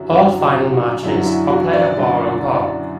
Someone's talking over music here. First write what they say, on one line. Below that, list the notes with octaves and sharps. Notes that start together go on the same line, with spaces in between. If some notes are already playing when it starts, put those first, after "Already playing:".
All finals matches are played at Barlow Park.
Already playing: F#2 D3 F#3 E4 F#4
F#2 D3 F#3 F#4
F#4
F#4
F#2 D3 F#3 E4
E4
F#4
D5
F#2 D3 F#3